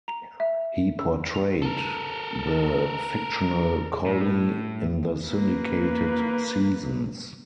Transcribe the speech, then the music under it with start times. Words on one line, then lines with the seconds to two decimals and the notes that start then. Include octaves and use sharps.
He portrayed the fictional collie in the syndicated seasons.
0.08 A#5
0.40 E5
0.99 E6
1.34 F7
1.62 A4 A#4
4.06 A2
5.25 A#3 B4